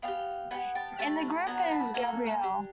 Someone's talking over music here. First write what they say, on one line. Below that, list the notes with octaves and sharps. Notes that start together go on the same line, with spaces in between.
In the group is Gabrielle.
B3 D4 F5 G5
G4
B3 D4 G4 F#5 G#5
G5 A5
A3 D4 G4 A5 B5
B3 D4 F#4 G#5 A#5
A5 B5
A#3 D4 F#4 A4 G#5 A#5
D4 G4